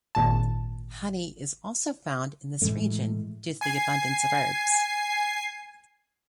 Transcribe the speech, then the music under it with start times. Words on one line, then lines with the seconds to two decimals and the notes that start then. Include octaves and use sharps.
Honey is also found in this region, due to the abundance of herbs.
0.15 G#1 A#2 A5
2.62 A2 E3 G#3 A3
3.61 G#5 C7